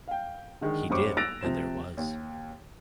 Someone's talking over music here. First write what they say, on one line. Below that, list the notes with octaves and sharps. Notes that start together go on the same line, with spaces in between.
He did, and there was.
F5 G5
D3 D#3 G#3
F#1 F#2 G3 C5 C#6 D6
E6 F#6 A6 A#6 D7 F7
C3 F3 C5 E7
D#2